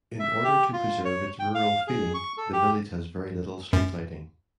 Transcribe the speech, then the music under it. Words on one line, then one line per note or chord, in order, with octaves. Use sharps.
In order to preserve its rural feeling the village has very little street lighting.
E5
G4
F4
C#5
G5
F5
G#4
C#6
A4
G4
F#2